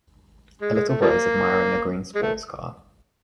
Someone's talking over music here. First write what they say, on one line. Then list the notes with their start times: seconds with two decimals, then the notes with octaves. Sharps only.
A little boy is admiring a green sports car.
0.61 G#3
0.75 G#3
0.88 A3
1.01 F3 G3 A#3
2.15 G#3
2.22 A3